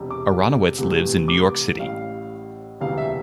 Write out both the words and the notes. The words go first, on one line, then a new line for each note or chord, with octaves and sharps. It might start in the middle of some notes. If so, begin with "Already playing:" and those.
Aronowitz lives in New York City.
Already playing: E1 E2 C3
D6
C2 C3 E3 A3
D6
A1 A2 G3 F5
E1 D2 C3 E3 G3 F5
E5